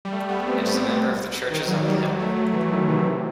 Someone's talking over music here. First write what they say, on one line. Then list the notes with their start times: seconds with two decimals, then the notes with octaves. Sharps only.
It is a member of the Churches on the Hill.
0.05 G3
0.12 A3
0.29 B3
0.47 C4
1.50 D#3
1.67 F#3
1.85 G3
2.02 F#3
2.20 A3
2.36 F#3
2.54 E3
2.71 D#3
2.88 C3
3.05 C3